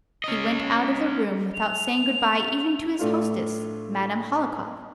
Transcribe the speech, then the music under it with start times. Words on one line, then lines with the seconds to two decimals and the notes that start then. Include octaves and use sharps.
He went out of the room without saying good-by even to his hostess, Madame Hohlakov.
0.24 C#4 D#5
1.54 F7
2.99 A2 A3 D4 F4